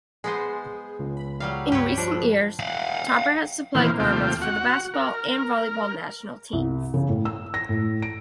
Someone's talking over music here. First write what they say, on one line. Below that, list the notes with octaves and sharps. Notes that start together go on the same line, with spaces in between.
In recent years, Topper has supplied garments for the basketball and volleyball national teams.
G#3 B3 G#4 C5
C#2
B5
F#3 G3 F5
G2 G4 B4 C#5
F3 D4
F5 F#5
A#2 D#3 E3 A#3 C4
D#2 C3 A3 F4 G5
F#4 F#5
A#4
C2
C#3
A2
E6
A#6
A2
D7